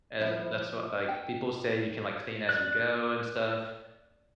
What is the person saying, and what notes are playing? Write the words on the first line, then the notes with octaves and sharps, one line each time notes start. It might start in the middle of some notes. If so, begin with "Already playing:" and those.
as, that's what like people say you can, like, clean as you go and stuff,
F3 E4
G5
D5 F#6